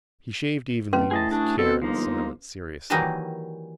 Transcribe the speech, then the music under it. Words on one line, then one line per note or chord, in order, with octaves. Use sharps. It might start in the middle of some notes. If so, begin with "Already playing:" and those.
He shaved evenly and with care, in silence, seriously.
D1 C#4 B4 C6
A2 G#4 D#5 A5
D4 F#4 G#4 A5
B2 C4 A4
G1 F3 G#3 A#3 D#4
D#3 E3 F#3 G3 A#3 D#4